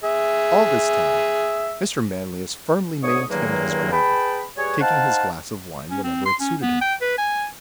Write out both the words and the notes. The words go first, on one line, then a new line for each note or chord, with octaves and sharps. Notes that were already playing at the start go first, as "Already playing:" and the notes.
All this time, Mr. Manlius firmly maintained his ground, taking his glass of wine whenever it suited him.
G#4 E5
D2 G#2 B3 C#5 C#6 D#6
E2 G2 D#3 F#3 G#3 A#3
G#4 B4 G5 A5 B5
G3 G#4 B4 C#5
D#4 C5 F5 F#5 A5
C#4
C4
C6
C#4
B3
G5
B4
G#5